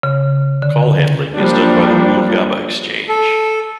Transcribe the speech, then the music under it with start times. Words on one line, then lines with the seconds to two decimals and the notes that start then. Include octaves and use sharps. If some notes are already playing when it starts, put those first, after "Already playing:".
Call Handling is done by the Woolloongabba Exchange.
0.03 C#3
0.62 D3
1.36 F3 G3 A#3 D4
3.09 A4